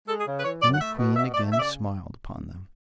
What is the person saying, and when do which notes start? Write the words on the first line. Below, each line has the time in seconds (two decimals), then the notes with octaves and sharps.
Then the Queen again smiled upon them.
0.09 G#3 A4
0.18 G#4
0.27 C#3
0.36 B4
0.45 E3 C#5
0.62 F#2 D5
0.74 F#5
0.80 A3 E5
0.99 B2
1.16 B2 E5
1.34 A3 D5
1.52 C#3 E5
1.60 D5